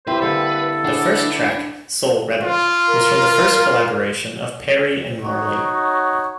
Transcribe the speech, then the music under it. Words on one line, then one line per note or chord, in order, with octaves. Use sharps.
The first track, "Soul Rebel", was from the first collaboration of Perry and Marley.
C4 E4 G4 B4 C5
D3 G3 A#3 A4 B4
B3 D4 G#4
F4
A#4
D#4 F#4 C#5